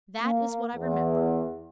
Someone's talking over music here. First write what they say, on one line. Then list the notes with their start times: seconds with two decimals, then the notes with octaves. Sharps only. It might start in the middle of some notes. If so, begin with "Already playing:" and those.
That is what I remember.
0.21 A#3
0.74 E2